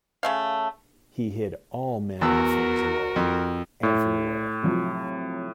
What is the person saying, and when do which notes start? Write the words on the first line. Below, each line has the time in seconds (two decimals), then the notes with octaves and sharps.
He hid all manner of things away, everywhere.
0.23 C#3 A3 F5
2.21 E2 F#4 A#4 E6
3.16 F2
3.83 A2
4.63 C3 F3 F#3